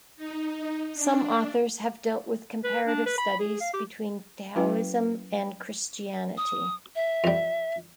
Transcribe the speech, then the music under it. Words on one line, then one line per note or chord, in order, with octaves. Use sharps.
Some authors have dealt with comparative studies between Taoism and Christianity.
D#4
D4
B4
D4
B4
B5
G#4
F5
G4
F#3 C#4 E4 F#4 B4 G5
D#6
E5
F2 G3